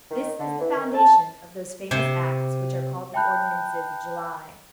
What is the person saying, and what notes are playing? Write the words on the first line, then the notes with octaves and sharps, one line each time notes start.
This is the foundation of those famous acts which are called the ordinances of July.
D#3
D3
E3
D#3
A5
C3 C5
E5 G5 A5 B5 F#6 G6